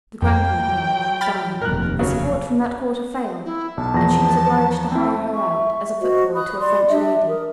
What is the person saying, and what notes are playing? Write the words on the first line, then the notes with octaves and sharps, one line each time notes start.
The grandmother, however, dying, the support from that quarter failed, and she was obliged to hire her out as a footboy to a French lady.
F2 G5
F#3
B5 F6 A6
F1 D#2 A#4 F#6
C#3 F#3
E4
B1 A5
E2 F3 A#6
C4 E4
E5 C#6
F#4 C5 D#5
B5 D#6 F#6
D5 C6
D4 G4 E5
A#4 D#6